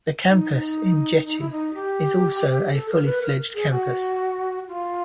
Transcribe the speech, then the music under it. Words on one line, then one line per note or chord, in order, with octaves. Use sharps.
The campus in Jette is also a fully-fledged campus.
D#4
D#4
D#4
E4
D#4
G4
A4
A#4
B4
A#4
G#4
F#4
F4